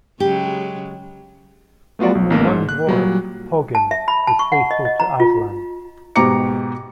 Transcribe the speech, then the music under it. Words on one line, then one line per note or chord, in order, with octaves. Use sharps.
Only one dwarf, Poggin, is faithful to Aslan.
C#3 F#3 G#3 G4
A3 B3 F4 F#4 D5
B1
A1 A#3 B3 A#4
G#2
F#6
A#2 F#3 G3
A5
E5
B5
A5
C#6
F#5
D#5
D#5
A#5
F4
G#2 B2 G4 A#5 D6 C#7